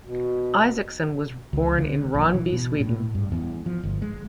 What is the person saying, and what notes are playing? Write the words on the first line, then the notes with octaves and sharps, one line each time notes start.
Isacsson was born in Ronneby, Sweden.
B2
C#2
D3
A#1
E3
B2
A2
G2
E2
F3
G1
G#3